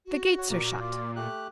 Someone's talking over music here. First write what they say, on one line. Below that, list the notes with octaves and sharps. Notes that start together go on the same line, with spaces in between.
"The gates are shut."
F#4
C#5 F#5
A#2 A#4 D5
F4 D5
A3 G4 F#6